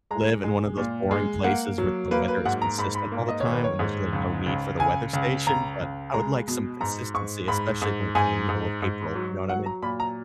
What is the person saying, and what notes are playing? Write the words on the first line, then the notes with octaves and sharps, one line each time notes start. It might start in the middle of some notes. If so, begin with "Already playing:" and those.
live in one of those boring places where the weather is consistent all the time and there's really no need for the weather station, but I would like some consistency, especially when it's in the middle of April, you know what I mean?
G#3 A#5
G#3
A#2
G#3
A#3 F#5
F#3
A#3 B4
B4
G#2 F#5
A#5
G#2 B5
B5
A#3
D#5
C#5
D#3
B4
C#5
G#2
C#2
C#2
C#2 G#5
C#2
C#2 A#5
C#2
G#3 A#5
B2
G#2 A#5
G#2 C#6
G#2 B5
G#2
G#2 G#5
G#2
G#2
F#3
F#3 F#5
A#5
A#2 B5
A#5